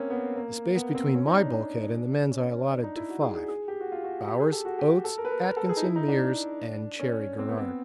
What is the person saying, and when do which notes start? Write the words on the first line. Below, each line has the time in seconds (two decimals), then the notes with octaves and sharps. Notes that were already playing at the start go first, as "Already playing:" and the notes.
The space between my bulkhead and the men's I allotted to five: Bowers, Oates, Atkinson, Meares, and Cherry-Garrard.
Already playing: A#3 C4 C#4
0.10 B3
0.36 A#3
0.75 B3
0.95 C4
1.15 C#4
1.27 D#4
1.40 D4
2.31 C#4
2.51 C#4
2.71 D4
2.84 D#4
2.96 E4
3.10 F#4
3.22 G#4
3.35 G#4
3.48 G#4
3.68 G4
3.80 F#4
3.92 F4
4.04 F#4
4.27 G4
4.40 G#4
4.52 A4
4.65 F#4
4.79 G4
5.04 A4
5.18 A#4
5.25 B4
5.30 A#4
5.43 A#4
5.57 A4
5.69 G#4
5.77 D#4
5.82 E4
5.96 D#4
6.08 D4
7.00 C#4
7.39 C4
7.49 B3
7.57 C4